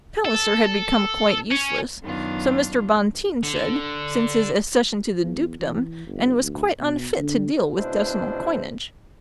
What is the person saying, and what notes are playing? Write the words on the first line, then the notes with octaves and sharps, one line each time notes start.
Palliser had become quite useless,--so Mr. Bonteen said,--since his accession to the dukedom, and was quite unfit to deal with decimal coinage.
A4
C#4
F#2 D#3 B3 D4 F4
D3
E2
E3
G1
D2
B2
D3
C#2 B2 D4 E4 C5